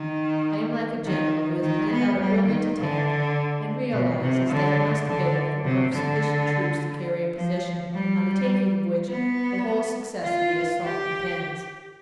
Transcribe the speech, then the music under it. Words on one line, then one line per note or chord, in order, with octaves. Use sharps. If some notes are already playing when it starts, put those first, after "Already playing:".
I am like a general who has planned out a brilliant attack, and realises that he must fail for want of sufficient troops to carry a position, on the taking of which the whole success of the assault depends.
Already playing: D#3
D#3
D#3
B3
G3
D#3
D3
B2
C3
D3
D3
C3
D3
F3
G3
B3
F4
G4